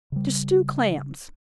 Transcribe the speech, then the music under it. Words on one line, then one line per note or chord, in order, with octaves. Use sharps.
To Stew Clams.
C#3 G3